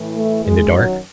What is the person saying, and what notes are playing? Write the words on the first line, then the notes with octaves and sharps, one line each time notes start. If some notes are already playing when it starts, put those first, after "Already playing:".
"In the dark?"
Already playing: A2 E3
A3
F#2 D#3 G#3
F#3